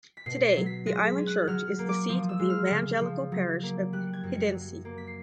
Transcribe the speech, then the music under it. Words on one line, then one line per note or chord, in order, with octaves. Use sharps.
Today the island church is the seat of the Evangelical parish of Hiddensee.
B6
B2 C7
C7
F#3
B6
G#3 A#6
B6
C#4
F#6
F#3 F6
A#3
D6
F3 D#6
E6
G#3
F6
C#3
F3
F#3
A#3
G3 F#6
G#6
F#2
C#7
F#3
A#3
B6
C7